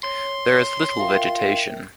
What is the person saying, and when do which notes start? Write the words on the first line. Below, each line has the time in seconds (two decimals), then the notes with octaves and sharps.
There is little vegetation.
0.03 C#5 C6
0.99 F4 A#4 E5 G5